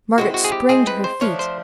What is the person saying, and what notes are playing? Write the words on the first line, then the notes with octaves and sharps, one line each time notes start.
Margaret sprang to her feet.
G#3 C4 E4 F#4
F#4
G#4
G4
G#3 C4 E4 G#4
B4
C5
F3 A3 D4 C#5
C5